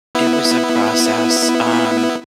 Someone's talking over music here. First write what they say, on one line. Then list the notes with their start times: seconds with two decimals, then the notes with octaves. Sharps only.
It was a process, um
0.15 B3 E4